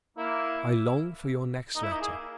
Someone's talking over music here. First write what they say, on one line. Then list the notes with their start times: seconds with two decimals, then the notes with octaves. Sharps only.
I long for your next letter.
0.18 A#3 E4
1.75 A#3 D#4
1.83 E4
1.92 D#4
2.01 G#4